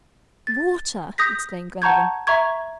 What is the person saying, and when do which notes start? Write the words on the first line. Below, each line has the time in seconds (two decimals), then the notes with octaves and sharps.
"Water!" exclaimed Glenarvan.
0.47 A6
1.18 D#6 G6 A#6 B6
1.82 F#5 A5 A#5 C#6 G6 G#6
2.27 E5 A#5 C#6 G#6